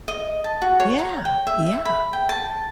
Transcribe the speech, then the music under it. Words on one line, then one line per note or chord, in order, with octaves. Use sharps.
Yeah. Yeah.
D#5
A5
F#4
C#5
A#5
G5
E5
E5
B5
G5
A5